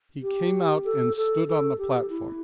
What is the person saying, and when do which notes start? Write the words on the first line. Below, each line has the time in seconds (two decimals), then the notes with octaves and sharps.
He came out and stood on the platform...
0.22 G4
0.85 A4
1.16 A4
1.47 A4
1.78 G4
2.10 E4